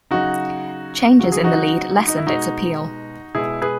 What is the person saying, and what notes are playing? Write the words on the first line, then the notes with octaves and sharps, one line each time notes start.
Changes in the lead lessened its appeal.
C#3 F#3 D#4 F#4
C#3 F#3 F#4
G#4
D#4 F#4
D#4
E4
B2 G#3 D#4 F#4
B2 G#3 E4 G#4
G#4 B4